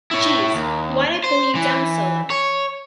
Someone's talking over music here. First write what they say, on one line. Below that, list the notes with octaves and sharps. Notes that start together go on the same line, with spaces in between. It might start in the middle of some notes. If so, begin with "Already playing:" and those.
Geez, why'd I pull you down so low?
E4 C#5
D#2
C5
E3
C#5